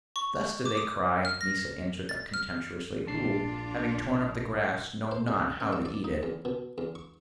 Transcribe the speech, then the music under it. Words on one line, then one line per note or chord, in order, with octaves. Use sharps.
"Thus do they cry," Mysa answered contemptuously, "who, having torn up the grass, know not how to eat it."
C#6
D6
D#6
F6
A#6
A6
F6
A#1 D4 F4 A5 C7
C5
G#4
C#4
E5
D5
D#4
E2
B2
E2
C#6